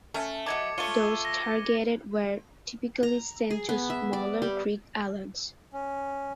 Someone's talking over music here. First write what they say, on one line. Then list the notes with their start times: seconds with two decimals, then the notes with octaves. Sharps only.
Those targeted were typically sent to smaller Greek islands.
0.14 A3 C#4
0.46 F#3 D#5 A5 D6 G#6 C#7
0.78 A3 F4 C#5 D#7 G7
1.25 A#6
3.03 A#5
3.51 G#4
3.69 B3
3.90 E5
4.13 D5
4.42 G3
5.73 C#4